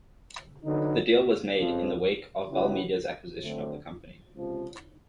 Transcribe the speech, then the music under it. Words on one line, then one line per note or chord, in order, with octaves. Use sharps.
The deal was made in the wake of Bell Media's acquisition of the company.
D3 F#3 B3 D#4
F2 C#3 F3
C#3 F#3 B3 E4 G4
D2 D3 F#3 A3 C4
C#2 C3 F3